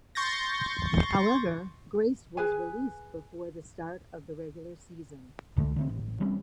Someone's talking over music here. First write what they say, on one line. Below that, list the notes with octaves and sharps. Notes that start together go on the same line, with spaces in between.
However, Groce was released before the start of the regular season.
C6 C#6 G6 A6 A#6
G#4 B4 G#5
C#2 D3 A3
D3 A3 C4
A1
E3 G3 C4 C#4